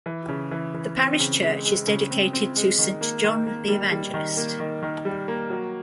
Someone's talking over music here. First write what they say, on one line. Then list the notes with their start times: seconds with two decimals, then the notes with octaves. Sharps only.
The Parish Church is dedicated to Saint John the Evangelist.
0.06 E3
0.28 C#3
0.51 E3
0.74 E3
0.97 C4
1.19 C#3
1.42 G#3
1.65 G#3
1.87 C#3
2.11 C4
2.33 C4
2.56 G#3
2.78 D#3
3.01 A#3
3.24 D#3
3.47 A#3
3.68 G3
3.92 G3
4.14 D#3
4.37 A#3
4.60 D#3
4.83 D#3
5.05 G3
5.28 A#3
5.50 F#3